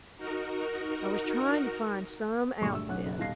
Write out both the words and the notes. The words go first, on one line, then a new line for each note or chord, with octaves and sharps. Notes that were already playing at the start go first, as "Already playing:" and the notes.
I was tryin' to find some outfit.
D#4 F#4 A#4
G1 C#2 A#2 G4 G#4 C#6
D2 E6
B1 C#4 F#5 F#6
F#1
D#1 B2 D#4 F5 A#6 C7